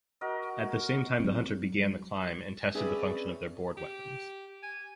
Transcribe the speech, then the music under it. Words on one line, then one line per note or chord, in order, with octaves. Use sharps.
At the same time the hunter began the climb and tested the function of their board weapons.
F#4 A#4 D#5
F#3 C4
C4 C#4 G#4 B4 D5 E5
G4
G#5